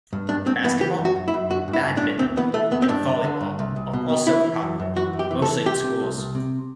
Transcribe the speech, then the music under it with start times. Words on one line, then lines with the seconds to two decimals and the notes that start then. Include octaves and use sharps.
Basketball, badminton and volleyball are also popular, mostly in schools.
0.13 G2
0.29 G2 D4
0.47 G2 C4
0.64 E3 B3
0.81 E3 G4
0.99 F#2
1.05 F#4
1.16 F#2
1.28 E4
1.34 F#2
1.50 D3 F#4
1.68 G2
1.73 E4
1.85 G2
1.97 D4
2.02 G2
2.19 D2 C4
2.37 E3 B3
2.54 E3 A3
2.71 D2 B3
2.82 C4
2.88 G2 D4
3.06 D3
3.24 D3
3.41 G2
3.59 C2
3.76 C2
3.93 B2
4.10 B2
4.27 E3 E4
4.44 E3
4.62 F#2
4.80 F#2
4.96 E3 F#4
5.13 F#2
5.19 G4
5.31 E3
5.42 A4
5.48 E3
5.66 C2 G4
5.83 C3
6.00 C2
6.18 C2
6.35 C3